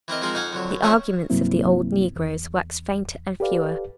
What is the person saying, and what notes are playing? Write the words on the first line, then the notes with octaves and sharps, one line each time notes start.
The arguments of the old negroes waxed fainter and fewer.
E3 C4 A#4 D#5
F3 G#3 C4 D#4 A#4
F2 D#4 F5 F#5 G#5
F2 D3 F#3
F#2
F3 C4 C#4 D#4 D#5 E5
G2 C3 F#3 A#3 C4 E4
E2
G4 A4 B4 D5 F5